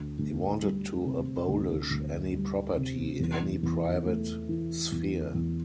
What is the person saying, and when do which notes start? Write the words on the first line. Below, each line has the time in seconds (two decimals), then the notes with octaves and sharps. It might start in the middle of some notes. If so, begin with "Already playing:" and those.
He wanted to abolish any property, any private sphere.
Already playing: D2
0.19 D2
0.61 G3
1.05 C3
1.48 D2
1.90 D2
2.34 G3
2.77 C3
3.20 E2
3.63 E2
4.05 A3
4.49 E3
4.92 E2
5.34 E2